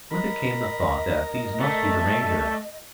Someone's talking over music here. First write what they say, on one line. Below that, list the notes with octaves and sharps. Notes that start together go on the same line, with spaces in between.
With it came the thought that these must be the Rangers.
A#4 D#5 B5
A3 A4 D5 E5